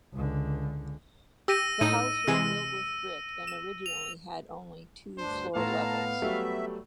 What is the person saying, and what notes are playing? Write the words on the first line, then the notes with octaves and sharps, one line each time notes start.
The house was built with brick and originally had only two floor levels.
C#2 D3
G4 E6 A#6 D#7
A2 D#4 D#7
C3 E3 G#3 E6
E7
F7
D2 G2 D4 C5
A2 B3 F5 A5 A#5 C6
F#3 G3 A3 E5